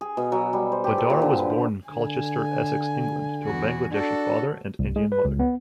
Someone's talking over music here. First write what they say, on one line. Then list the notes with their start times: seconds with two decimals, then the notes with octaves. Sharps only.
Badar was born in Colchester, Essex, England to a Bangladeshi father and Indian mother.
0.01 G#4
0.17 B2
0.32 F#3
0.53 G3
0.72 C5
0.84 G4
0.98 A4
1.10 A#2
1.22 D3
1.39 B4
1.89 D3 G#5
3.43 E2 F#4
3.92 D4 F#4 A4
4.79 C2
4.96 G#3
5.12 B4
5.25 C#2
5.39 B3